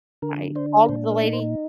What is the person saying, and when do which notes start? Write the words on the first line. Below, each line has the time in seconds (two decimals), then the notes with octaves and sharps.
I called the lady
0.22 D3 A#4
0.55 D4 C5
0.84 A#4
0.89 A#2 C5
1.11 A#4
1.22 D#4
1.33 C5